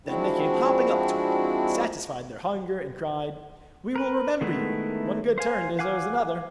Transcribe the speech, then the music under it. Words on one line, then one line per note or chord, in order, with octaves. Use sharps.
Then they came hopping up to it, satisfied their hunger, and cried: 'We will remember you--one good turn deserves another!'
F3 G#3 C4 D4 E4 F#4
A#4 B4
D#3 G#3 A3 B3 E4
C5 F5 G#5
F5 F#5 G#5 D6 F6